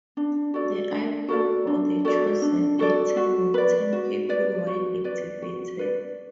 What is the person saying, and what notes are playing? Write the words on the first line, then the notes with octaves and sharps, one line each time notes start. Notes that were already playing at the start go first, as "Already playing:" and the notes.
The icon for the chosen item will turn purple while activated.
D4
F#4 A4 D5
D4
F#4 A4 D5
D4
F#4 A4 D5
D4
F#4 A4 D5
F#4
B4 D5
F#4
B4 D5
F#4
B4 D5
F#4
B4 D5